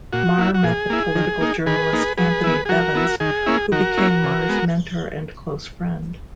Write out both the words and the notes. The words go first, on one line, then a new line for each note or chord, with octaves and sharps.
Marr met the political journalist Anthony Bevins, who became Marr's mentor and close friend.
A#2 F#4
A#3 E4
F#4
A#2 G#4
A#3 E4
D#3
A#3 D#4
D#3 G#4 B4
A#3 D#4
F#3 G#4 B4
B3 E4
G#4
F#3 F#4 A#4
B3 E4
D#3 G#4
A#3 C#4 E4
D#3 F#4 A#4
A#3 C#4 E4
C#3
G#3 B3